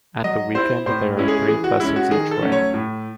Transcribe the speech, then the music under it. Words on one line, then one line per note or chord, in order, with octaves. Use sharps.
At the weekend there are three buses each way.
F#3 D#5
C4 E4 C5
A2 C5
G#3 C#4 E4
G#4
E3 G#4
F#4
G#3 C#4 E4
F#4
D#3 G#4
A4
F#3 A3 C#4
C#5
A2